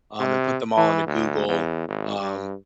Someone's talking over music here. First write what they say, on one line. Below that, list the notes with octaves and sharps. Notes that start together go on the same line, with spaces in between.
um, and put them all in a Google, um,
C3
E3
D2
E2
G#1
G2